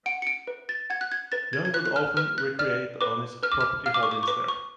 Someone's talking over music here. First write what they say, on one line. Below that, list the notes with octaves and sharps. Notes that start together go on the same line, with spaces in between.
Young would often recreate on his property holdings there.
F#5 D7
C#7
D7
B4
A6
F#5 G#6
F#6
G#6
B4 A6
G#6
G#6
B4 F#6
F#6
F6
B4 F6
F#6
D5 F6
B4 D6
B4 F6
D6
F6
F5 F6
D6
C#6
D6
C#6
B4 D6
C#6